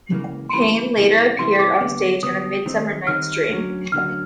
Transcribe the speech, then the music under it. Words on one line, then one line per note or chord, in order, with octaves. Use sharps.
Payne later appeared on stage in "A Midsummer Night's Dream".
C#2 C#3 E3 G3 A#3
C6
C#2 C#3 E3 G3 A#3 B5
C3 E3 G3 B3 E4
C3 E3 G3 B3 E4 C6
D6
D3 G3 B3 D4
D3 G3 B3 D4 D#6
D#3 G3 C4 D#4
D#3 G3 C4 D#4 F6
D2 D3 F#3 A#3 C#4
D2 D3 F#3 A#3 C#4 F6